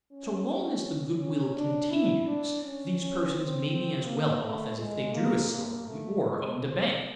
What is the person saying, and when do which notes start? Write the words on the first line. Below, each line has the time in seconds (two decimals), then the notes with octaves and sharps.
So long as the good-will continues these persons may be as well off as if they drew a salary or owned a bank.
0.12 C#4
1.19 C#4
1.56 D4
1.91 E4
2.26 D4
2.62 C#4
2.99 C#4
3.34 C4
3.71 C4
4.06 A#3
4.42 A3
4.78 G#3
5.13 A#3
5.50 A#3
5.86 A3
6.22 G#3
6.56 C4